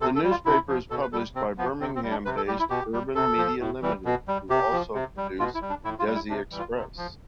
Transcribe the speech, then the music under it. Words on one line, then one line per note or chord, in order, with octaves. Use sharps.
The newspaper is published by Birmingham-based Urban Media Limited who also produce "Desi Xpress".
C3 A4
A4
G3
F4
C3 E4
F3
B2 A4
B4
G3 A4
C3 C4
F3 B3
C3 C4
C4
G3
D4
C3 B4
A4
G3 G4
E4
B2 G4
G3
C3 A4
F3
A2
E3 G3
B2
G3
C3 G4
F3
C3
G3
B2 F4
E4
G3
D4
A2 E4
F4
G3
E4
C3 D4
E3 G3
F4
C3
F3